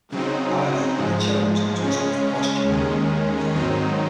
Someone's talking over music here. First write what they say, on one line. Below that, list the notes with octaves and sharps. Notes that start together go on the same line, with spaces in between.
However, it chose not to resolve the question.
C#3 F#3 C4 D#4
G#2 F3 G#3
C#3 G#3 C#4
D#2 D#3 G#3 C#4
G#2 D#3 F#3 C4 D#4